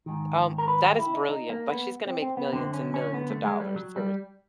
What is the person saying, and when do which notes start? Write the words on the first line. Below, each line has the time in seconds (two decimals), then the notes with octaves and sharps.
Um, that is brilliant. Like, she's gonna make millions and millions of dollars, seriously.
0.06 G#2 D#3
0.58 A#4
0.68 B4
0.83 G4
0.99 E4
1.14 D#4
1.29 D#4
1.50 A#3
1.71 B3
2.06 C4
2.22 C4
2.37 B3
2.53 F#2 D3 C4
2.74 C#4
2.94 C#4
3.14 B3
3.30 A3
3.45 G#3
3.61 G3
3.76 F#3
3.96 G3